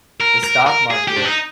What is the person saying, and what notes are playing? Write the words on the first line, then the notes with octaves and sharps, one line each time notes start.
the stock market
A#4
A#4
A#4
G#4
G4
D4
D#4